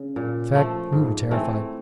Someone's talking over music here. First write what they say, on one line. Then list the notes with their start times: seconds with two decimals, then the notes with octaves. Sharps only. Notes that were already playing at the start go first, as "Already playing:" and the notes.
In fact, we were terrified.
Already playing: C#3
0.16 A#2
0.55 F3 A3
0.92 G#2
1.31 E3 A3 C4